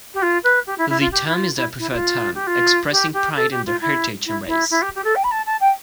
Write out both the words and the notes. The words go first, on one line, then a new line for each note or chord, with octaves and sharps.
The term is their preferred term, expressing pride in their heritage and race.
G4
F4
B4
G4
E4
E4
F4
G4
E4
F4
E4
E4
F4
G4
F4
G4
G4
A4
G4
F4
E4
E4
E4
E4
G4
G4
A4
G5
B5
A5
A5
G5